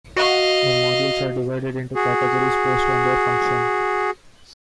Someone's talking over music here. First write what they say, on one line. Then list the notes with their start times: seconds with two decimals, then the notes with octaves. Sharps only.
The Modules are divided into categories, based on their function.
0.16 F#4 D#5 F5
1.95 F#4 G#4